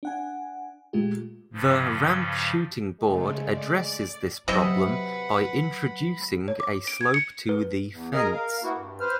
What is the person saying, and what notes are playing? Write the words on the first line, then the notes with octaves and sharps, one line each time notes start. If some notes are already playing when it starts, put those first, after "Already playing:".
The "ramped shooting board" addresses this problem by introducing a slope to the fence.
D4 F#5 G#5
A#2 G#3 A3 F4 G4
G2 C#3 F3
C#3 G#3 A3
D5
C3 F#3 B4 D#5 E5 F#5 B5
C#5
D6
D7
G#6
C#7
B4
E2
G#4 A#4 D#5 G#5 A#5
A#4 F5
A#3 B3 E4 F#4
G2
B4 C5 F6